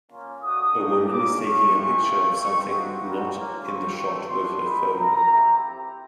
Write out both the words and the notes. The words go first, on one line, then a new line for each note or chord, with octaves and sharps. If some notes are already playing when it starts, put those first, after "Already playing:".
A woman is taking a picture of something not in the shot with her phone.
A#3 C#4 F4
A3 D4 F#4 D#6
A#3 D#4 F#4
A#3 C#4 F4 D6
A3 C#4 F4 C#6
G#3 C4 E4 G4
A3 C4 F4
A3 C4 F4 C#6
C4 D#4 F#4
G3 C4 D#4 F#4
A#3 C#4 F4
C4 F4 C#6
A3 C4 F4
A3 D4 F#4 C6
C4 D#4 G4 B5
A3 C4 F4 A#5
C4 E4 G4
C4 E4 G4